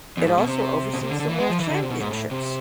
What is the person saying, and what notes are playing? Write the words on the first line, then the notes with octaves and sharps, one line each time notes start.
It also oversees the World Championships.
E2
G#2
B2
C3
B2
C3
D3
D3
E3
G#3
F3
E3
D3
C3
B2
G#2
A2
C3